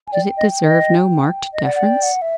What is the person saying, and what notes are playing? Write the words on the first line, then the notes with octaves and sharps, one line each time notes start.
Did it deserve no marked deference?
G#5
D5 G5
D#5
D#5
D#5
D5 F#5
F#5
G5
F#5
E5